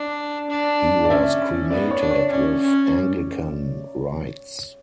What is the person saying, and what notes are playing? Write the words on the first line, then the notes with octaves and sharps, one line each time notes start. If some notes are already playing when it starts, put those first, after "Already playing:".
He was cremated with Anglican rites.
Already playing: D4
D4
D5
C#4 E5
B3 D5
C#5
D4
C#5
C#4 D5
C#4